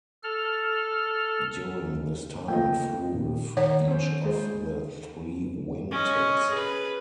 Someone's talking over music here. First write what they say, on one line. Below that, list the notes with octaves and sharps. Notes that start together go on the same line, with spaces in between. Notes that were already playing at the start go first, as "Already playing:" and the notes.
During this time it flew with each of the three wing tips.
A4 F6
A3 A#3 F4 D#5 G5
A#2
D#3 A#4 C#5
C#4 C5
G#3 G#4 C5
C#4 D#5
G#4 B4